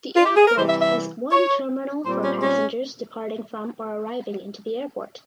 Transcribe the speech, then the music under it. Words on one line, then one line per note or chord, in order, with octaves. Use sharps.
The airport has one terminal for passengers departing from or arriving into the airport.
F4
G4
G#4
A#4
C3 E3 G3 C5
E5
E5
C#5
A#2 G3 C4 C5
C#4
C#4